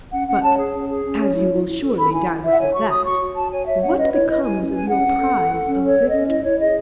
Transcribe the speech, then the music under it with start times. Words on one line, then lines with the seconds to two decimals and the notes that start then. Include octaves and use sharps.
But, as you will surely die before that, what becomes of your prize of victory?
0.13 C#4 F#5
0.28 C#4 F#5
0.43 C#5 A5
0.59 G#4
0.74 C#4
0.89 G#4
1.04 C#4
1.20 C#5
1.35 E4
1.51 E4
1.66 E4
1.82 A4
1.97 A4 B5
2.12 E4 G#5
2.28 E4
2.43 E4 E5
2.52 F#5
2.59 C#5 G#5
2.74 F#4 C#6
2.90 C#5 D#6
3.05 F#4 C#6
3.20 F#4
3.36 F#4 A5
3.51 C#5 G#5
3.66 C#5 E5
3.81 C#4 F#5
3.98 B4 D#5
4.13 E4 C#5
4.28 B4 D#5
4.43 E4 G#5
4.59 C#4
4.74 B4 G#5
4.90 C#4 F#5
5.05 C#4
5.20 A4
5.35 A4
5.51 A4
5.66 C#4
5.82 A4 C#5
5.97 A4
6.07 D#5
6.12 C#4
6.28 E4 D#5
6.43 E4 C#5
6.59 G#4 D#5